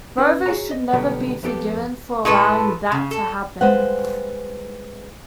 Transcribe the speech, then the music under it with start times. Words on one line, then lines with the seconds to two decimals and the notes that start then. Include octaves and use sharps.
Rovers should never be forgiven for allowing that to happen.
0.18 C#4 B4
0.46 F#4 G#4 A#4 C#5 G#5 A#5
0.71 D#5
0.93 B2 D3 F#3 G3 B3
1.43 F2 B3 G4 A4 F5
2.25 A2 G#3 A4 B4
2.92 C#3
3.11 A4
3.61 G3 G#3 B4 C5 F5 F#5